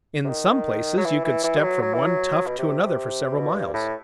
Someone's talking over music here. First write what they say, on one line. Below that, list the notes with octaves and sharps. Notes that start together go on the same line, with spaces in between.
In some places you could step from one tuft to another for several miles.
C3
D#3
F#3
E3
E3
E3
G3
F#3
F#3
E3
F#3
B2
C3
B2
G2
A2